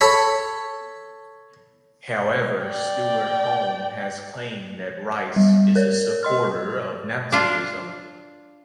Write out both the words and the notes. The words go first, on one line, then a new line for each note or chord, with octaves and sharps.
However Stewart Home has claimed that Rice is a supporter of Nazism.
A4 C#5 B5
D5 G5
G3
A#4 C#5
D#5 C6 F6
D4 F4